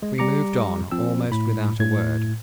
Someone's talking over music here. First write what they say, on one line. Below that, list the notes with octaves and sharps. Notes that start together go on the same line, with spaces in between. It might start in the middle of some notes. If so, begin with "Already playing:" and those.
We moved on almost without a word.
G#3
G3 G4 A#5 D6 C#7
F3 C4 E6
A2 B5
A2 G#6